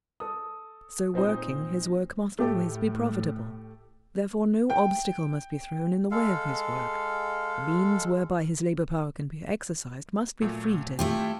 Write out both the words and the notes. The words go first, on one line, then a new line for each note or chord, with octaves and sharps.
So working, his work must always be profitable, therefore no obstacle must be thrown in the way of his work: the means whereby his labour- power can be exercised must be free to him.
A4 D#6
A#2 C4 D#4 C5
A2 A3 G4 A4
G5
G#3 A4 F5
A#2 F#3 A3
A3 C4 E4 F4 G4 G5